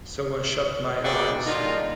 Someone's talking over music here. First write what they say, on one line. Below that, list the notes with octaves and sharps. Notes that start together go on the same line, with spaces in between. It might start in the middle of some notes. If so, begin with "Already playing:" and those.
So I shut my eyes.
C#3 A#3 F#4 G#4 D5 G5
A#2 D3 G3 D#4 F4